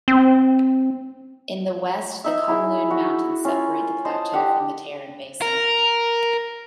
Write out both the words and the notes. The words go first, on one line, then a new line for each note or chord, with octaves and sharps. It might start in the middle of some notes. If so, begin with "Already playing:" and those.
In the west the Kunlun Mountains separate the plateau from the Tarim Basin.
C4
D#4 E5
E4 G#4
F#4
C#4 F4
C5 D#5 A5
G4 F#5
A#4